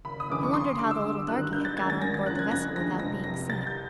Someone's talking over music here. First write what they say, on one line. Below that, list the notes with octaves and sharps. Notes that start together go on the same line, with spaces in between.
He wondered how the little darky had got on board the vessel without being seen.
F#1 B5
D#6
F2 C#3 E3 D6
C#6
D2 C6
D3 G3 D6
E6
G1
G2 D#3 F#3 F#6
G2 G6
A6
D#3 G#3 C#4 G#6
A6
G#1 A#6
A6
F#2 C#3 F3 F#6
G#6
F2 A#6
D3 F3 G#3 A#6
F1 A#6
F2 C3 A#6
C2 A6
G6